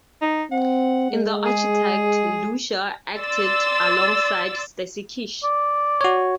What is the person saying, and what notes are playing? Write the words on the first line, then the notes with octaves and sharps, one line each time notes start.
In "The Architect," Lusha acted alongside Stacy Keach.
D#4
C4 F#5
G#3
G#4
D5 C6 E6 A6
D5
F#4 C#5